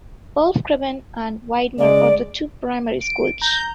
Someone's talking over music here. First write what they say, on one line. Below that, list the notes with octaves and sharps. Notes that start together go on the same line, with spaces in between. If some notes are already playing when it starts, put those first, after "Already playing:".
Wolfgraben and Widmer are the two Primary Schools.
C#3 G#3 D5
D7
A#5 G6